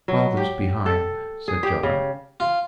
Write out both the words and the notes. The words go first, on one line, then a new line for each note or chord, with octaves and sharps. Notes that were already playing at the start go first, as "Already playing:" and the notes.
'Father's behind,' said John.
F#3
G4
A4
G#4
G4
C#3
F4